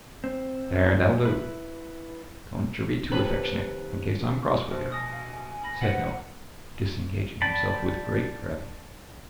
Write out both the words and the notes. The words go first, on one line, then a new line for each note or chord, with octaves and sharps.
'There, that'll do: don't yer be too affectionate, in case I'm cross with yer,' said Noah, disengaging himself with great gravity.
C4
E4 B4
D#2 C3 A4 B4
A#1 B2 C5
G#5 D#6 A#6
F5
B5 A#6
B4 C5 F#5 B6 F#7
D5 G5 A5 B5